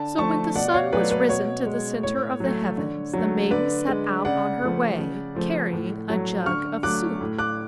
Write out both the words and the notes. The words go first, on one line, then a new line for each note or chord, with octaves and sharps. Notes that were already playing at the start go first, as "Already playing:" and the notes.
So when the sun was risen to the center of the heavens, the Maiden set out on her way, carrying a jug of soup.
Already playing: D3 A5
F3 A3 A5 C#6
B2 D5 F#5
C#5 F5
F#3 A3 B4 D5
B4
B2 C#5
G#3
A2 C#5
F#3 A3
D3
F#3 A3
D3 B4 D5
G#3
C#3 D5 F#5
F3 A3
C#3
F3 A3
A2
F#3 A3
D3 C#6 F6
F#3 A3 D6 F#6
A2
D6 F#6